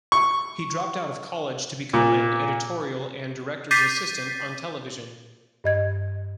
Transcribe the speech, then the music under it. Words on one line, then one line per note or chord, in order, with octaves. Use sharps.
He dropped out of college to become an editorial and director's assistant on television.
C#6
A#2
D6 G6 A6 B6 C7 D#7
G2 D#5 G#6